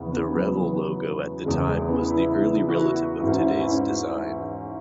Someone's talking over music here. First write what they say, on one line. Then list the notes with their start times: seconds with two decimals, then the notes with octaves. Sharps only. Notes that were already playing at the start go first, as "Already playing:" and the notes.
The Revell logo at the time was the early relative of today's design.
Already playing: E2 C#3 E3 B3 C#4
0.12 B3
0.34 F#3
1.44 E2 C#3 E3 G#3
1.66 G#3
1.88 B3
2.10 E4
2.33 E4
2.69 F#4
2.76 E4
3.20 G#2 E3 E4
3.28 C#4
3.37 E4
3.59 C#4
3.64 E4